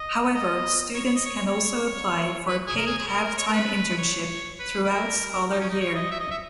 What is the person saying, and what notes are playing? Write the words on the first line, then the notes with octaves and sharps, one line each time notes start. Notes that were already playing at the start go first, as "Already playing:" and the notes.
However, students can also apply for a paid halftime internship throughout scholar year.
Already playing: D#5
D#5
C#5
C#5
D#5
C#5
C#5
C#5
C#5
B4
G#4
A#4
G#4
G#4
A#4
C#5
A#4
B4
C#5
B4
B4
A#4
D#4
C#4
D#4
C#5
D#5
E5
D#5
E5